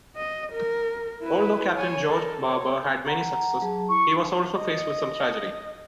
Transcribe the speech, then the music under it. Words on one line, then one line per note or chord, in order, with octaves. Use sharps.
Although Captain George Barbour had many successes, he was also faced with some tragedy.
D#5
A#4
E4 B4
C#5 G#5
A4 A#4
C#5
F#5 A#5
F#3 G#4 A5
E4 C#6
D#4
D#5